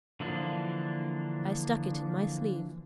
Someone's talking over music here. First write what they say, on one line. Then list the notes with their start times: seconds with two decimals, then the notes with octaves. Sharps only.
'I stuck it in my sleeve.'
0.20 D3 E3 F3 A#3 D4